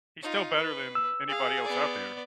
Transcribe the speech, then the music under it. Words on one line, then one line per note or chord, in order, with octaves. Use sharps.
He's still better than anybody else out there,
D#4 F4
B4
E6
G#4 F5
B3 D5